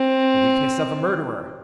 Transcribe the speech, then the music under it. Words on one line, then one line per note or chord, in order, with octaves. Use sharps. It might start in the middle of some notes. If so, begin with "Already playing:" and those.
"The weakness of a murderer!"
Already playing: C4